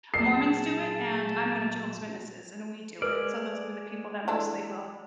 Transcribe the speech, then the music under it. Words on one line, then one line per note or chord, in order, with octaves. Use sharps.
Mormons do it, and I'm one of Jehovah's Witnesses, and we do it, so, those are the people that mostly will,
A#2 F#3 G#4 A5 C7
G#3 A#4 B4 D5
E3 D4 A4